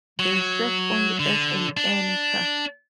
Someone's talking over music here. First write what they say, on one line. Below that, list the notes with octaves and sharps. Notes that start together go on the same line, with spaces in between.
They serve only as an anchor.
F#3
D3
D4